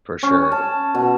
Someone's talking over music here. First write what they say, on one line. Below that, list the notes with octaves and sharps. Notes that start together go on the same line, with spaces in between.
For sure.
C#4
A5
B2